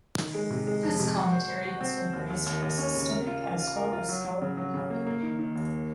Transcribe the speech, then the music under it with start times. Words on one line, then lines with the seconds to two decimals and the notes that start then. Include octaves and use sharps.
This commentary has been praised for its aesthetic as well as scholarly value.
0.18 D#3
0.34 G#3
0.50 C3
0.67 G#3
0.83 F2
1.00 C3
1.16 F#4
1.32 C5
1.48 C5
1.65 F#4
1.81 C4
1.97 C5
2.13 D#2
2.30 D#2
2.46 D#2
2.62 D#2
2.78 C#4
2.94 C#3
3.11 A#4
3.27 F4
3.44 F4
3.60 F4
3.76 A#4
3.93 F4
4.09 F#3
4.24 F#3
4.41 C#3
4.57 F#3
4.74 C#3
4.90 A#3
5.07 A#3
5.22 D#3
5.39 D#3
5.55 D#2